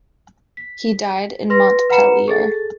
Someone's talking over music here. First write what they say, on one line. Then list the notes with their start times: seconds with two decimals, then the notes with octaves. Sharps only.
He died in Montpellier.
0.57 B6
1.50 B4 C6 A#6
1.90 B4 F#5 A#5 B5 C#7 E7
2.28 G#4 A4 A6